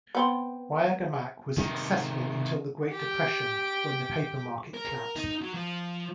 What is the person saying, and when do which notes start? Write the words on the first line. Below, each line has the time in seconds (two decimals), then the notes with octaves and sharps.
Wayagamack was successful until the Great Depression when the paper market collapsed.
0.15 B3 C4
1.58 C3 D#3
2.91 G4 G5
4.74 A#4
5.17 D#4
5.42 F#3
5.54 F3